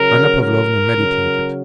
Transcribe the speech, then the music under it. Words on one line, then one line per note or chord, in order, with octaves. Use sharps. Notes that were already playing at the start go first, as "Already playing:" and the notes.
Anna Pavlovna meditated.
Already playing: C#3 F#3 A#4
A#4
C#3 F#3